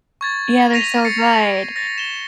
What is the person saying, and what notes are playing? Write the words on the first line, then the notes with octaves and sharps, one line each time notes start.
Yeah, they're so good.
C#6 G#6 A6
C#6 A#6 B6 D#7 F7
A6 C7 C#7
C#6
A6 A#6
E7 G7